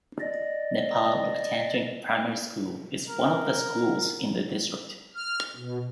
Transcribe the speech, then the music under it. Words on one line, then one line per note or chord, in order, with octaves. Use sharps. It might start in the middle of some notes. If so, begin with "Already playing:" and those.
Nepal Loktantrik Primary School is one of the schools in the district.
D5 D#5
A#4
F6
B2